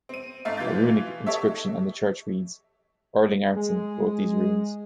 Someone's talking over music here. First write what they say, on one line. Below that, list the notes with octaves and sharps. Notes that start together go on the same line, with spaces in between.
A runic inscription on the church reads: "Erling Arnson wrote these runes".
C4 D#7
G#2 A3 D#4 E5 F5
B2 E3 F4 G6 A6
G4 A4 C#5 D#5 E5
G#3 G#4